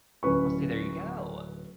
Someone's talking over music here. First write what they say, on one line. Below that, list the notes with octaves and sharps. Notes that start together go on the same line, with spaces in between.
Oh see, there you go.
D1 C#4 B4 C#6